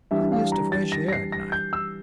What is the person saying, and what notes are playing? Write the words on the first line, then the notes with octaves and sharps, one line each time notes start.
I'm used to fresh air at night.
E3 G3 D4 E5
F5
A#5
A6
A#6
A#6
C7
A#6
G6
E6